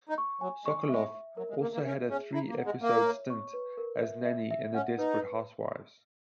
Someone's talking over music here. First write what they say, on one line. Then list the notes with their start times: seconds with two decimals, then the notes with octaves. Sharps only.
Sokoloff also had a three-episode stint as a nanny in Desperate Housewives.
0.09 D#4
0.18 C#6
0.41 F#3 G#5
0.65 G#3 C#6
0.89 G#3 E5
1.14 E5
1.37 F#3 A#4
1.50 G#3
1.62 A#3 A#4
1.74 A#3
1.85 C#4 E5
2.10 C#4 G#4
2.33 E4 A#5
2.50 A#3
2.58 F#5
2.65 G#3
2.82 A#3 E5
3.05 C#5
3.30 C#6
3.53 B4
3.77 A#4
4.02 E5
4.25 E5
4.51 E5
4.74 C#4 F#5
4.98 D#4 B4